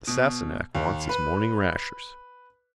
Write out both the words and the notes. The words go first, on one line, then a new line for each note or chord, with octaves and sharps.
The Sassenach wants his morning rashers.
B2
D#2
B4